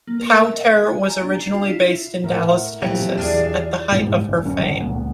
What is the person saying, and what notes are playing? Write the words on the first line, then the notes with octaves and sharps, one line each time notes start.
Powter was originally based in Dallas, Texas at the height of her fame.
A#3
A#4
E5
D#5
G#5
A#5
D4
C7
F4
E4
A2 A#4 E5 F#5
F2 A#2 E3 F#3 E4 G4
E2 E3 D4 F4 G#4 D5
G#2 G3
F#1
D1 F#2 G3 C#4
D2 D3
C#2 A#2 G3 B3